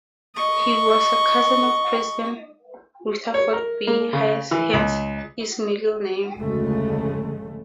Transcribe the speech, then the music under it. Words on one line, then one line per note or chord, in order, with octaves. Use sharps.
He was a cousin of President Rutherford B. Hayes, hence his middle name.
D#5 C#6
C#5
A#4
A#3
C#3
E3
C#2
F1 D2 G#2 C#3 G#3 A3